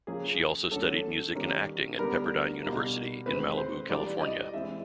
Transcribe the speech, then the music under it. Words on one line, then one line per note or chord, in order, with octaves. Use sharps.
She also studied music and acting at Pepperdine University in Malibu, California.
C#3 F3 A#3 C#4 G#4
D3 F#3 A3 C#4 A4
D#3 G3 A#3 C#4
D3 G3 B3 D4 A#4
B2 G3 A#3
D#3 G#3 C4 B4
C5
E3 G3 A#3 D4 D5
D#5
E3 G#3 C4 E5